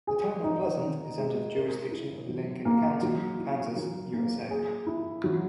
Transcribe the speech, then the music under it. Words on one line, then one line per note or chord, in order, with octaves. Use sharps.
The town of Pleasent is under the jurisdiction of Lincoln County, Kansas, USA.
G#4
D#4
D#3
G#3
A#4
E4
F#3
A#3
F#3
E4
F#3
A#3
G#4
E4
F#3